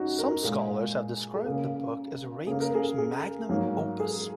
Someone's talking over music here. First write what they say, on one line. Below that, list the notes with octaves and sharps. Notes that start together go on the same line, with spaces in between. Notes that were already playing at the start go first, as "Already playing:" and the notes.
Some scholars have described the book as Reisner's magnum opus.
Already playing: C#4 D#4 F#4
A#4
A#2 G#3 G#4
G#4
C#3 A#3 A#4
C#3 A#3 G#4
A#4
G#4
G#4
G#2 F#3 A#3
G#4